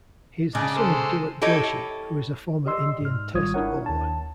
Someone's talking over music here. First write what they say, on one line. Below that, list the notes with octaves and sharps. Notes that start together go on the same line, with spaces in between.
He is the son of Dilip Doshi, who is a former Indian Test bowler.
C#3 D4 D#5
G#3 A4 C5
E4 G4 A4 C#5 D#5
G4 D5 D#5 C6 E6
G#2 F6
G#1 G3 F4 C#5 D#6 G#6
D4 E4 A#4 C#5 F#5
D#2 A5